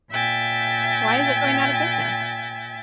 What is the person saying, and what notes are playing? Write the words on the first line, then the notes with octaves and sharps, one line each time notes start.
Why is it going out of business?
A#2 E5 G5 G#5 A6